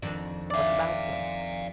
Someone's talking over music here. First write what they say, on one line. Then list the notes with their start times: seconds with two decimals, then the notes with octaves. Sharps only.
"What about them?"
0.02 F2 D#3 D4
0.51 D5 E5 F5 D6